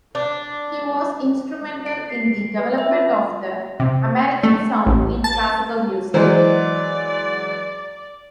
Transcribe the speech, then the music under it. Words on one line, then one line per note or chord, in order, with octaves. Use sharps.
He was instrumental in the development of the "American Sound" in classical music.
D4
D7
C7
B4
E5
F4
C3
A3
A1
A5
E3 F#3 G#3 C5 D5